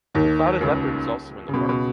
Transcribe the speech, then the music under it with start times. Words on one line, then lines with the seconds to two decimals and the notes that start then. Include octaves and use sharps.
The clouded leopard is also in the park.
0.15 D#2 D#3
0.61 C#2 C#3
1.49 C#3
1.54 B2
1.69 B2